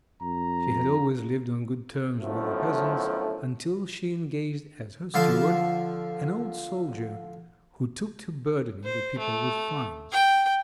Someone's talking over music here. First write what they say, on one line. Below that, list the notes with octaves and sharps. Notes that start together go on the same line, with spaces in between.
She had always lived on good terms with the peasants, until she engaged as her steward an old soldier, who took to burdening the people with fines.
F2 A#5
B1 F#2 A2 D3 F3 A3
D3 F3 F5 A5
C5
A3
G5